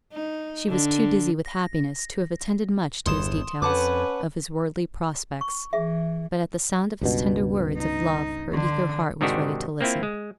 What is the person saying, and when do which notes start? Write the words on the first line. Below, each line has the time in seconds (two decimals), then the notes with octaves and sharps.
She was too dizzy with happiness to have attended much to his details of his worldly prospects, but at the sound of his tender words of love her eager heart was ready to listen.
0.13 D#4
0.69 D3
1.46 A#6
3.06 G1 E2 C6 D#6 E7
3.62 F2 C#4 B4 F#5 A5 D6
5.41 C#6
5.73 E3 G#4 E5
7.01 C#2 G2 B2
7.77 D#4
8.53 D3
9.21 G#2 C3 D#3 D4 F#4 G4
9.81 A#3 C4 E4 F4
10.03 G#3